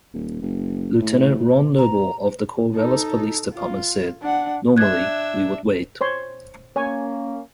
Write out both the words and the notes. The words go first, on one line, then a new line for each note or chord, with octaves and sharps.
Lieutenant Ron Noble of the Corvallis Police Department said, Normally, we would wait.
D#1
F#1
A2
A#5
D#4 A4
F4
D4 F#5
D4 E5 F#6 G#6
C5 C#5 C6
A#3 C#4 C#5 G#5